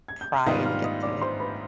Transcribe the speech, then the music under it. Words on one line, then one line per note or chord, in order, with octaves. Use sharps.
pry and get the
G#6
G6
F6
G#2 D#3 G3 B3 F4 D#5 D#6
F5 F6
D#5 D#6
D5 D6
C5 C6
B4 B5